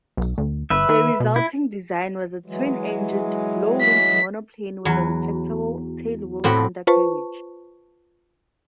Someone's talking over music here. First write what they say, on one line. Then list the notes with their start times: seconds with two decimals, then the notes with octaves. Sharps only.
The resulting design was a twin-engined, low-winged monoplane with a retractable tailwheel undercarriage.
0.17 B1
0.38 D2
0.70 G1 B4 E5
0.89 D#3
1.20 B2
1.36 E4
2.46 E3 F#3 G#3
3.81 B6
4.85 E2 F#3
6.44 A2 C4 F#4 F#5 B5
6.87 F4 B4 C5 A5 C#6